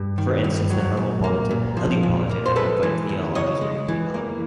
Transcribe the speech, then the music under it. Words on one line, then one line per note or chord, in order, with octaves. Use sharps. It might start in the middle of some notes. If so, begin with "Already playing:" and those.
For instance, the Hermopolitan, Heliopolitan and Memphite theologies, were equally validated.
Already playing: G2
D#3
G2
F#3
A#2
A#3
A#2
F3
A#2
A#3
C5
G#3 A4 B4
E3
D#2
C#3 C#5 D#5
G#3
E3
A#3